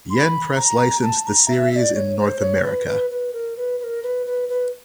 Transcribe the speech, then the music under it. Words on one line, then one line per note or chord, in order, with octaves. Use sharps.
Yen Press licensed the series in North America.
C6
B5
A#5
A5
A#5
E5
E5
D5
C#5
C5
C#5
B4
B4
B4
A#4
B4
B4
A#4
B4
B4
B4